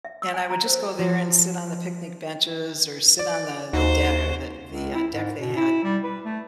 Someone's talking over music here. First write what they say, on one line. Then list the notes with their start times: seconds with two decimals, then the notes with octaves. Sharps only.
and I would just go there and sit on the picnic benches or sit on the the deck or the the, uh, deck they had
0.05 E5
0.22 E6
0.34 G#5
0.50 A#5
0.66 C5
0.99 F3
3.19 D5
3.73 D#2 D#4 F#4 C5
4.70 C#2
4.95 E4
5.13 G#2
5.39 B2
5.56 E4
5.84 G3
6.04 B4
6.25 A3